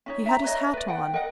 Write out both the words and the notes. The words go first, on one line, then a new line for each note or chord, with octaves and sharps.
He had his hat on.
C#4 D#4 C#5
E5 A#5
B4 C#5 D#5 E5
B4 D5
F#5 G5
A#4 D#5 F#5